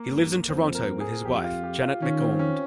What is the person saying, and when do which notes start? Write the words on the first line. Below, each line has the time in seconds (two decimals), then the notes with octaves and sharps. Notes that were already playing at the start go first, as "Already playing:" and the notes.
He lives in Toronto with his wife Janet McOrmond.
Already playing: A#3
0.10 G2
0.48 F2 C4
0.75 A#4
1.00 G#4
1.25 F2 G4
1.44 F4
1.63 G4
1.82 F4
2.01 D#3 C#4
2.21 C4
2.39 C#4